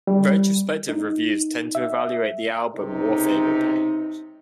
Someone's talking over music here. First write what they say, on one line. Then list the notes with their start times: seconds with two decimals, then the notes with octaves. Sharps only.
Retrospective reviews tend to evaluate the album more favorably.
0.07 G3
0.89 D#4
1.75 E5
2.75 C#2 C3 D#4